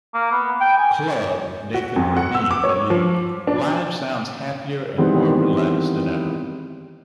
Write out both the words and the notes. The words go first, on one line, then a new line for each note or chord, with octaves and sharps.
Club", Nathan Rabin believed "Blige sounds happier and more relaxed than ever.
A#3
B3
G5
G#5
F#4
F2
F#5
E6
D6
C#5
F3
D4
D#3 E3 G3 G#3 B3 C4